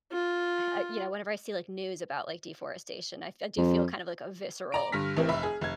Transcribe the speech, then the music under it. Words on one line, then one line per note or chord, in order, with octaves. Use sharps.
uh, you know, whenever I see, like, news about, like, deforestation, I f I do feel kind of like a visceral
F4
F2
D5 A#5 D7
G2 D3 F6 A#6 B6
A1 E3 C4 A#4
F1 E5 B5
G#4
F1 G#6